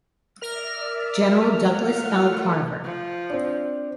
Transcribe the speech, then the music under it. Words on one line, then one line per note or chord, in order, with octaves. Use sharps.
General Douglas L. Carver.
A#4 D5 E5 F6
A3 F4 F#5
F3
C4 D4